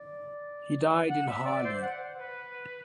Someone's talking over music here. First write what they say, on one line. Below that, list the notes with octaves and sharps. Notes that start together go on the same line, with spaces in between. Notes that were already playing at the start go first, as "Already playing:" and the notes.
He died in Halle.
Already playing: D5
F#5
E5
D5
C5
F#5
B4